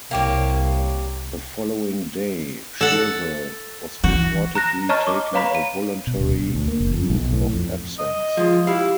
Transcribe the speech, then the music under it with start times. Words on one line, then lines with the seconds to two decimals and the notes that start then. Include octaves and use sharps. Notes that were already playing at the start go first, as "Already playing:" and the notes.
The following day, Shirvell was reportedly taking a voluntary leave of absence.
0.11 C2 A#3 G4 C#5
2.81 A4 F#5
4.04 E3 F#4
4.55 A#5 F#6 A#6
4.89 C#5 D#5 A5 A#5 C#6 F6
5.07 C#6 D6
5.33 B4 C#5 F5 A#5 B5 B6
5.55 D#7
6.07 B2
6.18 D1
6.31 B2
6.55 D2
6.68 A#3
6.80 F#1
6.93 F2
7.10 B1
7.33 A2
7.53 F2
7.99 D#5
8.37 F3 G#3 F4
8.67 E4 G4 F5